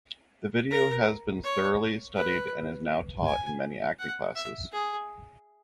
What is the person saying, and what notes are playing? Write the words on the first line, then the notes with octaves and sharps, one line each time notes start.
The video has been thoroughly studied and is now taught in many acting classes.
A#4
C#5
B4
G#5
F#5
E5
G#4